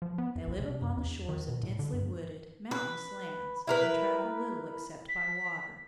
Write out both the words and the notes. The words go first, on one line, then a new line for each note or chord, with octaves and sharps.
They live upon the shores of densely wooded, mountainous lands and travel little except by water.
F3
B3
F2
A#1
C3
F#2
E2
D#3
B2
A2
D3
G2
B4
E4 A#4 B4
B6